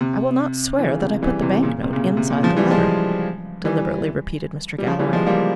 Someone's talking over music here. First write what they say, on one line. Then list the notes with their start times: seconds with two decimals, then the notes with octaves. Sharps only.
"I will not swear that I put the bank-note inside the letter," deliberately repeated Mr. Galloway.
0.01 C3
0.79 E3
0.90 C#3
1.02 C3
1.22 E3 G3
1.42 C3 E3
1.62 A#2 C#3
1.83 C3
1.93 A#2 C#3
2.17 C3
2.30 A#2
2.43 C#3 F3
2.57 E3 G3
2.71 F3 G#3
3.65 E3 G3
4.78 G3
4.87 C#3 F3
5.00 E3 G3
5.13 F3 G#3
5.26 G3 A#3